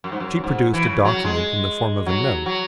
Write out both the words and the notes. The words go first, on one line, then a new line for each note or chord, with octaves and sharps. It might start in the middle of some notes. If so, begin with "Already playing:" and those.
She produced a document in the form of a note.
F#2
G#2
F#2
G#2
E3
C#3
F#3
G#3
F#3
F#3